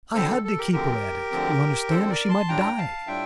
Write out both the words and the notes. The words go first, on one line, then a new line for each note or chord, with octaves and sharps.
I had to keep her at it, you understand, or she might die.
D2 D3 F3 C4 A4 C5
A4
A4
G4 A#4
D2 D3 F3 C4 G4 A#4
D2 D3 F3 C4
D2 D3 F3 C4 A4 C5
A#4 D5
A5 C6
A2 G3 D4 F4 G5 A#5
F5 A5
A2 G3 D4 F4 E5 G5